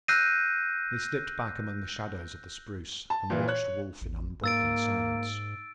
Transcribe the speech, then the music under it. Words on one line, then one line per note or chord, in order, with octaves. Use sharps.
They slipped back among the shadows of the spruce and watched Wolf in unbroken silence.
E6 F#6 G6 A#6 C7 D#7
A5
A#2 E3
C#5 F#6
A1
G#2 A#3 E6 A6 D7